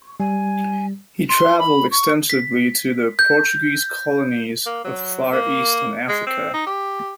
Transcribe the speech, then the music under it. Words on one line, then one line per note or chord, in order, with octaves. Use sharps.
He travelled extensively to the Portuguese colonies of the Far East and Africa.
G3 G#5
C6
B5
C#6
B6
G6
A#3
F#3
A#3
G#3
C4
D#4
G4